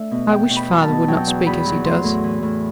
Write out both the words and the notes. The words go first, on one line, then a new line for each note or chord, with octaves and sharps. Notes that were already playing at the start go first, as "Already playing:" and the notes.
'I wish father would not speak as he does.
Already playing: A3 D4 E5
B2
E2 G5
B2
B5
F#3
A5
B2
F#3 G5
E2
E2 B5
F#3
A2 C6
A2
E3
A2